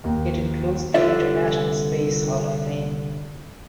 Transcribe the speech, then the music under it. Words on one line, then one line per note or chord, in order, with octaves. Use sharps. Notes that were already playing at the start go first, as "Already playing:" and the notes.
It includes the International Space Hall of Fame.
D#2
C2 D3 F4 C#5 D5 E5